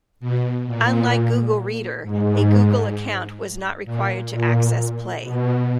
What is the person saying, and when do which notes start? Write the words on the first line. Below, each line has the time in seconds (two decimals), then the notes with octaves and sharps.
Unlike Google Reader, a Google Account was not required to access Play.
0.20 B2
0.66 A#2
2.03 G#2
3.85 A#2
4.31 A#2
5.22 B2